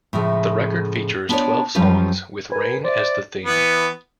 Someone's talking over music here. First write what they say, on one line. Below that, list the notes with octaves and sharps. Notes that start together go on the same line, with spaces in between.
The record features twelve songs with rain as the theme.
A2 C#3 F3 G#3 A3
B3 D4 F4 A4 C#5 D5
F#2 F3 G3 C#4 F4 B4
A#4 B4 G#5
C5 D5 E5
E3 B3